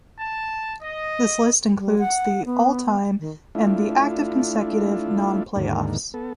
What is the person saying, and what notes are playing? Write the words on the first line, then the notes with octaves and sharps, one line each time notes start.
This list includes the all-time and the active consecutive non-playoffs.
A5
D#5
G3
F#5
B3
D#3
A3 D4 E4 F4
D#2 G#2 D3 A#3
B3 A4